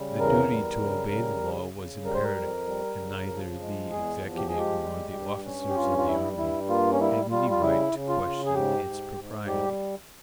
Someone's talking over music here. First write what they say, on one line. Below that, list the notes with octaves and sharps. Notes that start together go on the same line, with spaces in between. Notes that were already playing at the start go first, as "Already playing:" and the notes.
The duty to obey the law was imperative, and neither the Executive nor the officers of the army had any right to question its propriety.
Already playing: C#3 G3
E2 A#4
G3
C#3
G3
C#3
C#3
G3 A#4
C5
A#4
F2
G3
C#3
F3
G#3
E2 G#4
F3
G4
G#3 G#4
G4
G3
G2
C#4
G4
G2 F4
F4
G3 E4
G2 E4
A#3 F4
C#4
G3 E4
G3 F4
F4
C#3 E4
C#3
F4
C#3
G#4
G#2 G4
G#2
G#2
G3 G4